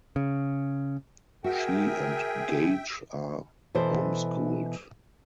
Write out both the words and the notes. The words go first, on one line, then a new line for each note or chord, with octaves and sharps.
She and Gage are homeschooled.
C#3
F#4 G#4 A#4 E5 G5
B2 E3 A4 C5